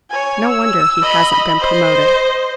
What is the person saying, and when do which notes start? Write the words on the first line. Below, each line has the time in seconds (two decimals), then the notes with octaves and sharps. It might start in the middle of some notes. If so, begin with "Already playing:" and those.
No wonder he hasn't been promoted.
0.10 C#5 G#5
0.48 E6
1.02 D#5 B5
1.59 C5 D#5